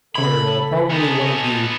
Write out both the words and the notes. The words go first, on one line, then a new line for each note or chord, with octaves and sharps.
are, uh, probably one of the
C#3 A4 B5 G#6
B3 D#4 A4 G#5